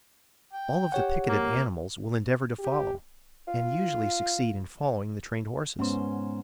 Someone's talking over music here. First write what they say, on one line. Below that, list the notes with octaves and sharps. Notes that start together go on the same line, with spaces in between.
All of the picketed animals will endeavor to follow, and usually succeed in following, the trained horses.
G5
G4 C#5 F#5
A#3
G4
F4
G#2 B3 C#4 C5